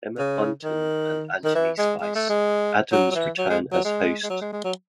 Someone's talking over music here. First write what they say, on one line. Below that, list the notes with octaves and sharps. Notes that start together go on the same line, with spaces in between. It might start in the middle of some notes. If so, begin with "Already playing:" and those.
Emma Bunton and Anthony "Spice" Adams return as hosts.
C#3
D#3
D#3
E3
G#3
G#3
A3
G#3
F#3
F#3
E3
F#3
G#3
F#3
G#3
G#3
F#3
G#3
G#3
F#3